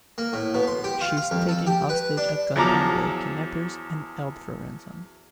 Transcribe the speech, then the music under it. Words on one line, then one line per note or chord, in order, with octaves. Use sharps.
She is taken hostage at gunpoint by the kidnappers, and held for ransom.
A#3
A2
B2
C6
G4
F4
F5
F2
A4
G4
B4
D4
E2 F3 F#3 A#5 D6